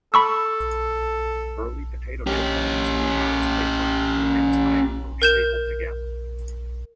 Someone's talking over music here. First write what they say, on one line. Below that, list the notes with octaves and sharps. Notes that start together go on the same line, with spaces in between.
Early potato chip bags were wax paper with the ends ironed or stapled together.
A4 B5 C#6 E6
C#4 G4
A#4 G6 E7